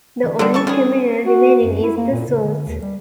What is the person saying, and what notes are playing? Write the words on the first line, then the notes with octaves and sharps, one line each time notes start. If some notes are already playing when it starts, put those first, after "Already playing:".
The only terminal remaining is the source.
D3 E3
D3 D#3 G3 D4 G4 A4
E3 A5 C#6
D#3 B3 C#4 G#4
F#4
F#2
E4
A#3
A#2
C#3
D3
D#2
G3